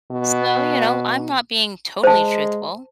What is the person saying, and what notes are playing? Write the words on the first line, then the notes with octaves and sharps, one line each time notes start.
So, you know, I'm not being totally truthful,
B2
G#3 C5 A5